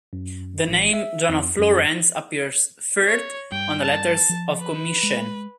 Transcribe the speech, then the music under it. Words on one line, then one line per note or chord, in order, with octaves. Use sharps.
The name "John of Florence" appears third on the letters of commission.
F#2
A1
E5
F2
F#2
C#5
G2 G5
A5
F3
B4
G#3